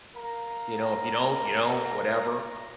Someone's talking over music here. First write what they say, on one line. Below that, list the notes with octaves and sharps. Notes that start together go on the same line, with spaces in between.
you know, "If you don't, you don't, whatever."
A#4 F5 A#5